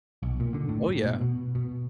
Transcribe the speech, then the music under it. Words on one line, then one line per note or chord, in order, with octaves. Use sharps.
Oh, yeah.
B1
A#2
D3
A2
A2
B2
B2
B2